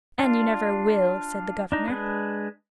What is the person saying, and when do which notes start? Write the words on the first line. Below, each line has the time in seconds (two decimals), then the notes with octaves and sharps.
"And you never will," said the governor.
0.19 D4 F4
1.72 D4 D#4
1.88 G#3 D4 B4